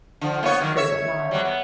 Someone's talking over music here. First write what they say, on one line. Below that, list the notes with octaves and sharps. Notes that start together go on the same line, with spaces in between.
that's true that not
D3 F3
A#3 B3 C#5
E2 D#3 F#3
C#5 E5
F2 F#3 G3
B3